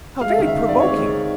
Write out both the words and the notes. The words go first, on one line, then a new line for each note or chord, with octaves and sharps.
How very provoking!
G#3 F5
E5
D#3 F5
E5
D#3
D5
C4
C#5
G#3
D#3